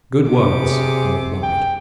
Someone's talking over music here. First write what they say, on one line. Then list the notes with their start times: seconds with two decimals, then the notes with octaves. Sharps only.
'Good words,' I replied.
0.24 C3 D6
0.61 G#4
1.43 G5